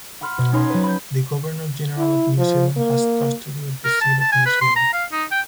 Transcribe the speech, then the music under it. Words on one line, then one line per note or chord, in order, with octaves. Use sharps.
The Governor-General of New Zealand has custody of the Seal of New Zealand.
F#5 B5 C6 F6 F#6
B2
C#4 D#4 C#5 B5 C6
F#3 B4
B5 G6
E4
F3
A#3
A#4
A5
A5
G#5
B4
C6
A#5
F5
D#4
G5